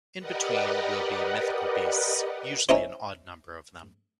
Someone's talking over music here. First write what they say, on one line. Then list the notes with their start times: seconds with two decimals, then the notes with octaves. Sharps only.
In between will be mythical beasts, usually an odd number of them.
0.19 G4 A#4 B4 D5 D#5 F#5
2.69 C#4 D#4 E4 C5